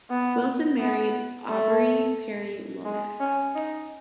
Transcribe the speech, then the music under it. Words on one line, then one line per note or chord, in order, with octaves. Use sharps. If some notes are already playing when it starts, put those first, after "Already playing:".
Willson married Aubrey Perry Lomax.
B3
B3
A3
G#3
C#4
D#4